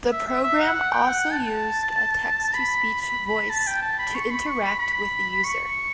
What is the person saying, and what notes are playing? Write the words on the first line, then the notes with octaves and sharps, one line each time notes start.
The program also used a text to speech voice to interact with the user.
E5
E5
E5
F#5
F#5
G5
F#5
A5
B5
B5
B5
A5
G5
A5
B5
C#6
B5
C#6
B5
B5
C#6